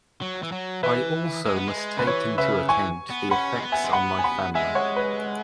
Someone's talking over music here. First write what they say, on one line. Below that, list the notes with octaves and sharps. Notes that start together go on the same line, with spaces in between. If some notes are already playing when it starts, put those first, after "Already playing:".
I also must take into account the effects on my family.
F#3
E3
F#3
E3 B4 E5
G#3
B3
G#3
C#3 B4
E3 C#5
C#3 B4 E5
E3 G#5 C#6
B3
C#4 F#5 B5
G#3
B3
E5 G#5
G#3
B3 F#5 B5
G#5
F#5 B5
G#3 E5 G#5
C#5 F#5
B4